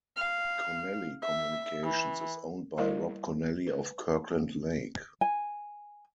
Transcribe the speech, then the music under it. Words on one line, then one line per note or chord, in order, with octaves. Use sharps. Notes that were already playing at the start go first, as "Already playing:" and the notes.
Connelly Communications is owned by Rob Connelly of Kirkland Lake.
F5
E5
E3
G3 E4 A#4 D#5 F5
B4
G#5